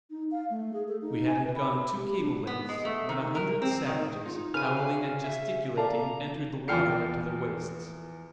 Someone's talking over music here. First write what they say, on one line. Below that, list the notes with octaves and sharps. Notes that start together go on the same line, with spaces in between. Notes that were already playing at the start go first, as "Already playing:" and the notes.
We hadn't gone two cable lengths when a hundred savages, howling and gesticulating, entered the water up to their waists.
D#4
F5
A3
G#4
A4
D#4
G#5
B4
B5
G4
D4
B3
G#3
A3
D#3
A#4
C4
D#3
D#4 F4
C#3 F#4 B4 G#5 F6 D#7
E5
A4 D5 F5 A#5
E2 F3 G5 F6 C7 C#7